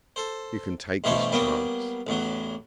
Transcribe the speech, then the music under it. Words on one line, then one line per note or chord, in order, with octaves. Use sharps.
You can take this chance.
A4 C5
G2 B2 E3 A3 C5 C#5
F#3 G3 A#3 B3
A1 E2 F#3